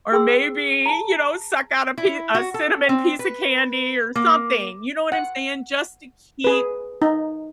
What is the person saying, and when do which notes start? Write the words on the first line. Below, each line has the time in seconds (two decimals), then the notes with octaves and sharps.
or maybe, you know, suck out a pie a cinnamon piece of candy or something, you know what I'm saying? Just to keep
0.12 G#4 G5 C6 E6
0.86 A5 A#5
1.98 E4
2.35 F#4
2.54 A4
2.89 C4
3.19 B4
4.15 A#3
5.12 F#5
6.44 G#4 B4
7.02 D#4